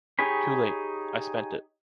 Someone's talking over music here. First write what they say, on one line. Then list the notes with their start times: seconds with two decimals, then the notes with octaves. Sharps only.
Too late. I spent it.
0.19 D#4 G4 G#4 C#5 B5